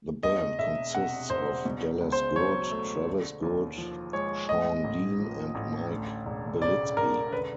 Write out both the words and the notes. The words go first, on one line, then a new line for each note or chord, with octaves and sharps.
The band consists of Dallas Good, Travis Good, Sean Dean and Mike Belitsky.
E2 D#5
E1 E5
C3 F#5
E1 C5
B2
C#2
C5
F#3 C#5
A3
D3
D#2
F3
G#3 C#5
A2 D#5
A1
F3
A1
D2
E1
C#3 D5
E1 A#4
D3 B4